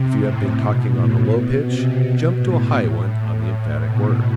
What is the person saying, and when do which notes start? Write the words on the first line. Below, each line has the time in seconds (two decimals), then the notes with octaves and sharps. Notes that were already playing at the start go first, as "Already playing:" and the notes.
If you have been talking on a low pitch, jump to a high one on the emphatic word.
Already playing: C3
0.17 A2
0.54 B2
0.90 A2
1.27 B2
1.64 C3
2.00 B2
2.37 A2
3.10 A2
3.83 B2